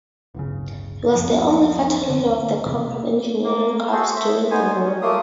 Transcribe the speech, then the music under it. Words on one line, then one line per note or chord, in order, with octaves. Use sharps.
He was the only fatality of the Combat Engineering Corps during the war.
D1 G1 C#3
D1 F#2 F3 B3
D#1 A#1 D3
E1 A#1 E2 C3
A#3
F#4 G#4 A4 C5
E5
B3 D#4 C5 G#5
C#4
A3 A#3 F4 D#6